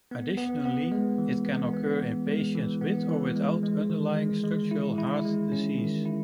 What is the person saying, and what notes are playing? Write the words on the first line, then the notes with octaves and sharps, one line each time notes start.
Additionally, it can occur in patients with or without underlying structural heart disease.
B3
B3
B3
G#3
E3
B3
B3
E3
G#3
E3
B3
E3
G#3
G#3
D#3
G#3
G#3
E4
E4
G#3
C#4
D#3
E4